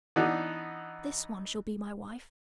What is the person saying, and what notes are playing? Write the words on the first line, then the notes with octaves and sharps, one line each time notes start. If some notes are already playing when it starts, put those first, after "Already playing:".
'This one shall be my wife.
E3 B3 D4 D#4